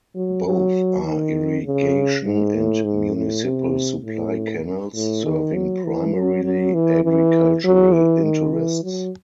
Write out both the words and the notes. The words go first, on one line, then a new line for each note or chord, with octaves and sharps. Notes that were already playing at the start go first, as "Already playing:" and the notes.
Both are irrigation and municipal supply canals serving primarily agricultural interests.
F#3
F#3
D#3
C#3
G#2
A2
G#2
A2
C3
A2
A2
D#3
F#3
E3
F#3
F#3
E3
E3
F#3
E3
D#3
E3
F#3